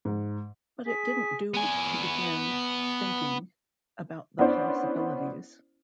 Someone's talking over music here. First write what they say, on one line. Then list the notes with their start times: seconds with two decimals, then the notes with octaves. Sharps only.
But it didn’t do to begin thinking about the possibilities.
0.05 G#2
0.86 G#4 B6
1.54 B3 G#5
4.39 B3 C#4 D4 E4 C5 D5